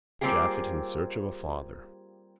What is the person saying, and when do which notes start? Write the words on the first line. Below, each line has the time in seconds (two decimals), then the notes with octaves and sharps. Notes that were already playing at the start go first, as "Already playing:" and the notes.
Japhet in search of a father!
0.21 G3 A#3 C4 F4 G4 G#4